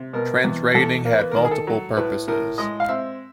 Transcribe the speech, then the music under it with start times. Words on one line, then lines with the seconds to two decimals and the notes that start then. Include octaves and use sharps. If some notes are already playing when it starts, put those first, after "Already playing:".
Trench raiding had multiple purposes.
Already playing: C3
0.13 B2 A#4
0.44 E2
0.74 E2 A4
1.05 A#3 A#4
1.18 B4
1.31 D#3 A#4
1.45 G#4
1.51 A4
1.67 F#3
1.97 A2 B4
2.28 A2 A#4
2.58 G#3 D#5
2.80 F5
2.88 C4 E5